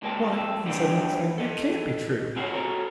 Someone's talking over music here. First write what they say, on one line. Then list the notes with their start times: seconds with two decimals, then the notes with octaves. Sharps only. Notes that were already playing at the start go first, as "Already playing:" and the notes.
Why!" he suddenly exclaimed, "it can't be true.
0.02 C#2 A#2 G#3 C4 A#4 A5
0.30 F2 A4
0.66 D#3 G3 B3 C4 D4 D#4
1.38 A4 D#5
2.36 C4 F4 F#4 G#4 C5 C#5
2.53 F#4 A4 A#4 C#5